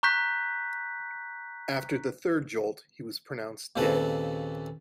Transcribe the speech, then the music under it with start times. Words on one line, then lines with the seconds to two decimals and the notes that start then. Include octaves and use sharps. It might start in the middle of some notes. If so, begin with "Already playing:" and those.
After the third jolt, he was pronounced dead.
0.03 A#5 C#6 F#6 G6 B6
3.76 D#2 A#2 C#3 C4 A4 B4